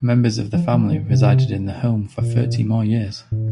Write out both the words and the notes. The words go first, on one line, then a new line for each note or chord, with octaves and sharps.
Members of the family resided in the home for thirty more years.
F3
E3
D#3
C3
A#2
A2